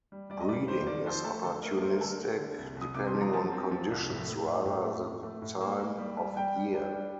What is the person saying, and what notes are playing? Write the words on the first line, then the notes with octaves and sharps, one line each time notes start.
Breeding is opportunistic, depending on conditions rather than the time of year.
G3
G3 D5
D#5
G3 D5
D#3 C5
D#3 D5
F3 C5
A3 A4
D3 A4
A3 A#4
A3 C5
A#4
D3 A4
A#4
A3
D3
C2
C2
D#6
C3 D6
C6
F3
A#5
F3 A5
C4
F3
C2
A2
A3
A2
A2
A3
A2
A3
A2
A#3
A#3
G3
G3
G3 G5
G3
D4
G3